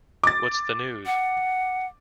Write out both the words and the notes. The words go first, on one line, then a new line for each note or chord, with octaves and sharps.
What's the news?
D6 A6
F#5